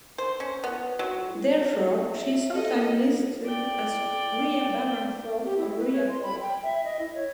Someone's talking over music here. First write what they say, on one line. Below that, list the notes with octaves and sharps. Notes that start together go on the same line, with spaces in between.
Therefore she is sometime listed as Ria Baran-Falk or Ria Falk.
C5
C#4
B3
F#3
G#4
E5
A4 D#5
D5 G5
G4
E4
B4
C#5
C6
B5
G5
E5
D#5
E4
C#5